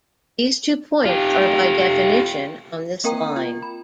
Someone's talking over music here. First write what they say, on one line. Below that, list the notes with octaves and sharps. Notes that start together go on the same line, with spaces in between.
These two points are by definition on this line.
F4 G4
A#3 C4 A#4 G5 A#5
F4
B5